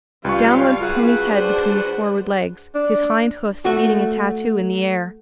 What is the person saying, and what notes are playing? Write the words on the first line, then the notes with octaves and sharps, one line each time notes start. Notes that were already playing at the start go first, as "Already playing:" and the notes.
Down went the pony's head between his forward legs, his hind hoofs beating a tattoo in the air.
C#2 G3 F4 B4 F5 C#6
F#4 G#4 B4
D4 C5
D4
A3 F#4